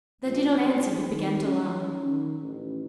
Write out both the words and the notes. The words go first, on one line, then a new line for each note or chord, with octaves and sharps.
They did not answer but began to laugh.
A#1
A1
D#3
C#4
D#3
A1